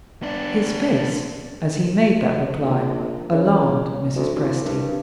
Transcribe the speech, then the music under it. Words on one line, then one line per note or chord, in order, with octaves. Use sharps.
His face, as he made that reply, alarmed Mrs. Presty.
B3 D4
A#1
C#3
D2
C2
G2